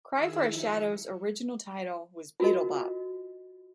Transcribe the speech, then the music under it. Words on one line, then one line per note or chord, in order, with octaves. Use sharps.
"Cry for a Shadow"'s original title was "Beatle Bop".
D#3 E4 G#4 E6
F3 D#4 E5 C#7
F4 F#4 A#4 D#5